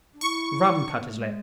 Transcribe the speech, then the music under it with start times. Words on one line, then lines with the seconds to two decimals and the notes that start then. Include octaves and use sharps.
Rum cut his lip.
0.13 D4
0.21 E4 C#6
0.87 D4
0.98 B3
1.08 A3
1.19 G#3